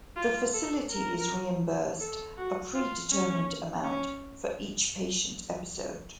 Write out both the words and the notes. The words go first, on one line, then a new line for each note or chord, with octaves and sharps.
The facility is reimbursed a predetermined amount for each patient episode.
F4
A4
A#4
A4
F#4
F4
C#4
C#4